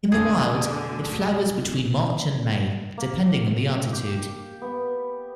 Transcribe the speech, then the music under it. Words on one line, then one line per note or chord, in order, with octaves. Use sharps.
In the wild, it flowers between March and May, depending on the altitude.
F2 B2 D3 A3 G#4
A#3
G4
B3